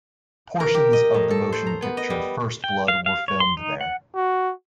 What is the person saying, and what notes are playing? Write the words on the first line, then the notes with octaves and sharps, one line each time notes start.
Portions of the motion picture "First Blood" were filmed there.
A#4
G4
D#5
A2
A4
C5
A#5
B3
D#5
G3
G5
F5
F5
C#5
C6
D#4
F#5
F#4